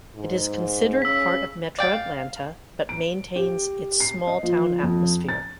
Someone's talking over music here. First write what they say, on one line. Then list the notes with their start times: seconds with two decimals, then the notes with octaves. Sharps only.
It is considered part of metro Atlanta but maintains its small town atmosphere.
0.16 G#2
1.02 C#3 E6 B6
1.79 D5 F5 G5 A6
2.89 D7
3.36 G4
4.00 C7
4.27 D#5
4.43 F3
4.83 F2
5.29 A6